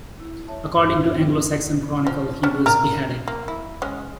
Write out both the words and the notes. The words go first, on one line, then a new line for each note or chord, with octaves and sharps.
According to the "Anglo-Saxon Chronicle", he was beheaded.
D#2 E4
C#5 E5 A5
G2 D#3 E4 C5
F3 C4 D4 E4 E5
F3
C#4 D4
A#4 D5 A#5
A#3
E4
G#3 C#4